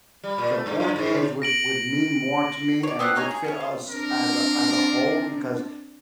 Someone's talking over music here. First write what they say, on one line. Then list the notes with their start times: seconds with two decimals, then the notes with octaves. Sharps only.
the board games would would mean more to me, and it would fit us as a as a whole because
0.24 G3
0.38 A#2
0.52 A3
0.66 G2
0.80 F#2
0.96 G#2
1.14 C#3
1.42 A#6 D7 F#7
2.83 C#5 D5
2.99 B3 C4 D4 F#5
3.15 A#3 D#4 C#5 G#5
3.31 G#4
3.44 C#4 G#4 C#5
3.60 F4
3.89 C4 D4 A#4